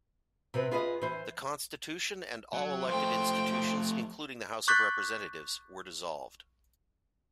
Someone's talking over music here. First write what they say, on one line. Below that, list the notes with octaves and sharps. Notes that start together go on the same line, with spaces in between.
The constitution and all elected institutions, including the House of Representatives, were dissolved.
C3 C4 B4
F4 G#4 B4 D5 D#5
E3 C5
F#3
F3 A3 C5 G5
C#6 D6 F#6 G6 A6 B6